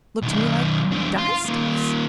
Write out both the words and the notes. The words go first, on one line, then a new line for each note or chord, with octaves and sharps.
Look to me like dyestuffs.
B1 D#3
E2 D4
F4
A#2 D#3